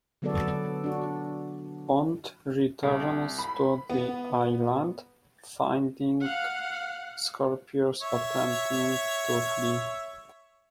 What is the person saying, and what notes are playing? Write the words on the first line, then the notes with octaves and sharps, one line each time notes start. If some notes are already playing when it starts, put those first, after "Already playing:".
Bond returns to the island, finding Scorpius attempting to flee.
D3 F#3 B3 F#4 A4 D5
D4 F#4
C2
B5
B3
F5 F#5
C#5 E5